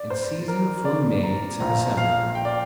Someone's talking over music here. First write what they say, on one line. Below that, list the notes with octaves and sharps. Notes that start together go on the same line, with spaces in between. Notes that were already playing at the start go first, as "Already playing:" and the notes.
In season from May to December.
Already playing: D5
C5
A#4
D5
A#5
A#1 A#2 F3 A#5
F5
G5
D5